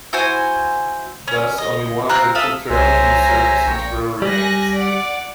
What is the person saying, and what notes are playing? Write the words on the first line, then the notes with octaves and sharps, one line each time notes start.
Thus only one of the two terms in the surface integral remains.
E4 F#4 C5 G#5
C#4
D#5
C4 F4 A#4 F#6
F4 A4 E5 D#6
C2 C5 C#5 E5 G#5 A#5
A#1 G5 C#6
G3 G#5 F#6 A#6
D5 F#5